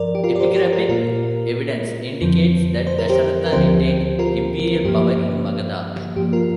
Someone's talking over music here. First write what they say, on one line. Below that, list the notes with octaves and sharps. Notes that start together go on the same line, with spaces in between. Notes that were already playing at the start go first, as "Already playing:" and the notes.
Epigraphic evidence indicates that Dasharatha retained imperial power in Magadha.
Already playing: G2 F3 A#4 D5
G4
F4 A#4
D5
G4 C5
A#4
G4 C5
F4 A#4
A#2 A#3 F4 A#4
F2 D3 F3 C4
C5
A#4
G4 C5
A#4
D2 D3 F3 C4 G4 C5
F4 A#4
G2 F3 A#3 G4
G2 F3 A#3 G4
F4 A#4